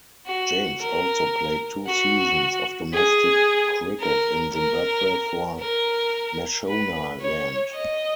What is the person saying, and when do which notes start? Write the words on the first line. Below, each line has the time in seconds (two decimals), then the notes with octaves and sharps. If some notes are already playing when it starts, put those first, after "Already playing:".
James also played two seasons of domestic cricket in Zimbabwe for Mashonaland.
0.26 F#4
0.79 A#4
1.87 F#4
2.93 G#4
4.00 A#4
4.53 A#4
5.60 A#4
6.66 B4
7.20 C#5
7.73 D#5